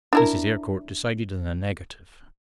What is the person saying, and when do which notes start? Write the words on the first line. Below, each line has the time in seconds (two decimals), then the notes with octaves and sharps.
Mrs. Eyrecourt decided in the negative.
0.13 D4 E4 A#4